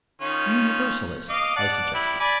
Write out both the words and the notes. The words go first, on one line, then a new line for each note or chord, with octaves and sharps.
"Universalist?" I suggested.
D#3 C#4 F4
D#5 F5 D6
D5 F#5 A5
G3 E4
D5 G#5 B5